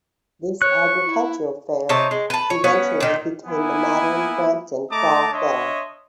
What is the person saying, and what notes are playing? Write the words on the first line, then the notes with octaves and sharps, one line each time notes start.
This agricultural fair eventually became the modern Brampton Fall Fair.
C#5 C#6 F#6
E4
C3 D#4 C#5 A5
G#3
B4 A5
C#5
B3 C#4 C#5 F#5
A#2 D#3
A#3 B3 E4 G#5
A3 D#5 A5 A#5 D6
D4 C#5 D#5 E5 C6